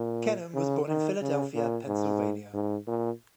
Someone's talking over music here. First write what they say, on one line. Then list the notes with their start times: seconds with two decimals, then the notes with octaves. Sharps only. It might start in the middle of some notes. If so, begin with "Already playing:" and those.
Kennan was born in Philadelphia, Pennsylvania.
Already playing: A#2
0.54 C#3
0.88 D#3
1.21 C#3
1.55 A#2
1.87 G#2
2.53 G#2
2.87 A#2